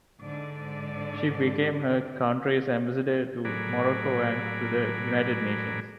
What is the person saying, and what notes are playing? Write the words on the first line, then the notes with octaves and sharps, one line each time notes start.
She became her country's ambassador to Morocco and to the United Nations.
G#2 D3 D5
A2 F#3 G#4 A#4 D5 B5